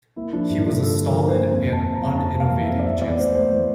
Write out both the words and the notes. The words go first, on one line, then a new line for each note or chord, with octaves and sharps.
He was a stolid and uninnovating Chancellor.
A#3 E4
F3 D4
G2 E4
G2 F4
D3 A4
F3
A#4
D3
C5
A#3
F2
F2 A5
F2
A#5
F2
F2 A5
A#3
F5
E3
E5
F2
D5
E2 E5
E2 D5
A3 C5
A3 C5
E3